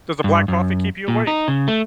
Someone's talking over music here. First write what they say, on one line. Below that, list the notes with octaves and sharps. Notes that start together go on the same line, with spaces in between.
Does the black coffee keep you awake?
G2
F#2
A#2
D#4
C#3
A3